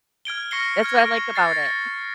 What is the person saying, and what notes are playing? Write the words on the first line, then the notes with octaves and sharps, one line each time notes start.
That's what I like about it.
F6 G#6 D7 G7
C#6 F6 A#6 C7 C#7 G7
F6 G#6
D7
A6 C7